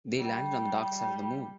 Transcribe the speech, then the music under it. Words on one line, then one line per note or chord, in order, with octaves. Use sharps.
They landed on the dark side of the moon.
G3
G3